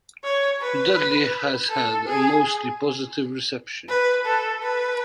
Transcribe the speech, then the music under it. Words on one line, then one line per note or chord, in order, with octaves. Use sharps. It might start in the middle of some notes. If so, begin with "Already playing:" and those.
Dudley has had a mostly positive reception.
C#5
B4
A4
G#4
B4
A4
B4